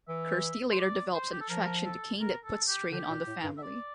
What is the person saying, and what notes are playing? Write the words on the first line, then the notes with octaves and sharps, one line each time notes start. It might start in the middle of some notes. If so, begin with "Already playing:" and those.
Kirsty later develops an attraction to Kane that puts strain on the family.
E3 E5
C5
D5
C5
G4
A4
F3 A#4
A4
A#4
A4
G4
D3 G4
A#2
A2
G2
E5
D5